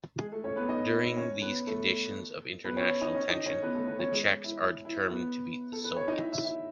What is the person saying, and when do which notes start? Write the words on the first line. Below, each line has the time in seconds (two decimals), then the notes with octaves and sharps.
During these conditions of international tension, the Czechs are determined to beat the Soviets.
0.19 G#3 G#4
0.32 A3 A4
0.44 C#4 C#5
0.56 B3 B4
0.68 D#4 D#5
1.17 C#4 C#5
1.42 B3 B4
1.67 A3 A4
2.65 B3 B4
2.77 C#4 C#5
3.01 D#4 D#5
3.14 C#4 C#5
3.29 D#4 D#5
3.46 C#4 C#5
3.62 B3 B4
3.74 A3 A4
3.87 B3 B4
3.99 C#4 C#5
4.12 G#3 G#4
4.44 E4
4.85 E4
5.09 B3 B4
5.72 A4
5.84 B4
5.96 C#5
6.07 D#4 D#5
6.20 E4 E5
6.32 E4 E5
6.45 E4 E5